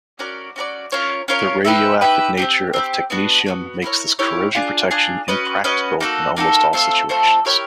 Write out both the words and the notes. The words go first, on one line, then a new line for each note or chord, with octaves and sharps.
The radioactive nature of technetium makes this corrosion protection impractical in almost all situations.
C#4 F#4 A#4 D5
C#4 F#4 A#4 D5
C#4 F4 A#4 C#5
C#4 F4 A#4 C#5
D#4 G4 B4 E5
D#4 G4 B4 E5
C4 D#4 G4
C4 D#4 G4
B3 D4 F#4
B3 D4 F#4
E4 G4 A#4 C#5
E4 G4 A#4 C#5
D4 F4 G#4
D4 F4 G#4
C#4 F#4 B4 D#5
C#4 F#4 B4 D#5
A#3 D#4 F#4 A4
A#3 D#4 F#4 A4
A3 C4 F4 A4
A3 C4 F4 A4
E4 G4 A#4 C#5